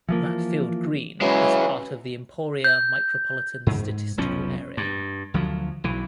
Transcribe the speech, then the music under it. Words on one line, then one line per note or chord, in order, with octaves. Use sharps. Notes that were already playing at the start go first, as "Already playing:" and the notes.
Matfield Green is part of the Emporia Micropolitan Statistical Area.
E3 F3 A#3
C#3 E3 F#3 G#3
G6
G#2
F1 B1 F3 C#4
G2
D2 F3 F#3
B1 E3